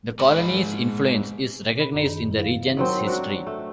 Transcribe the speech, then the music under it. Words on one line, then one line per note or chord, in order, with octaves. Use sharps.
The Colony's influence is recognized in the region's history.
G#2 B5
B2
B5
F#2
D#3
E4
F5
D#3 F#3 C4
D4 F#4
A3